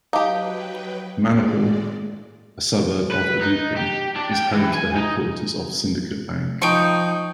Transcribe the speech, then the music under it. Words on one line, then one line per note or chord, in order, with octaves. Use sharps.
Manipal, a suburb of Udupi, is home to the headquarters of Syndicate Bank.
F#3 D#4 G4 B4 F5 G5 A5 D6
A2 G#3 D5
B4
D#4
G4
D4
G5
E3
G#5
D#4
F3 D#4 G5 C#6